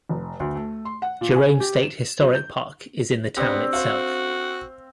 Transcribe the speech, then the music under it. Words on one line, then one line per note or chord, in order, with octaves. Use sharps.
Jerome State Historic Park is in the town itself.
F1
D2
A3
C6
F#5
A#2
G#5
G4
E7
F#3
G6
B3 C4 D4 G4
F#4 C5 F5